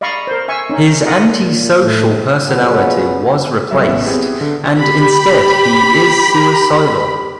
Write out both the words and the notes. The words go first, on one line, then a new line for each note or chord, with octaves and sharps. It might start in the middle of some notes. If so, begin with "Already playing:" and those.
His anti-social personality was replaced and instead he is suicidal.
D5 D#5 F5 B5 C#6
A#4 C5
E5 G#5 C#6
C#4 D#4
F4 A#4 D5 D#5 F#5
A#2
A2
A#2 C#3 F3 F#3 B3
F#3 G3 A4 E5
A1 B2 B3 C#4 E5
B3 C4 E4 G4 G#4
D3
G4 B5